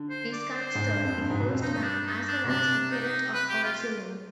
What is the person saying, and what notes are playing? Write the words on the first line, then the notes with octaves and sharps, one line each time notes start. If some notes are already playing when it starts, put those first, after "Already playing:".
He is considered the first man as well as the parent of all Zulu.
Already playing: D3
C5
D5
C5
G#2
G2
F2
G2
G#2
B2
F2
G2 D#4
D#4
D4
D#4
D4
B2
C3 D4
D#4
B4
G4
F4